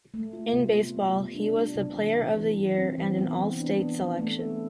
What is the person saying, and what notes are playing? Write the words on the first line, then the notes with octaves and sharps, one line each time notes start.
In baseball, he was the Player of the Year and an All-State selection.
A3
F4
C3
B3
G3
C3
D4
D4
C3
E3
C3
E3
E3
C4
E3
B3
E3
D4
B3
B3
A3
A4